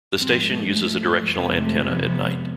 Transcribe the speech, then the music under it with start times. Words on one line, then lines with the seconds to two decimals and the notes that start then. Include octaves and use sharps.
The station uses a directional antenna at night.
0.18 G#2 F3 G#3 C4
0.47 A3
1.33 F2 C3 F3 G#3 B3
1.61 A3
1.89 B3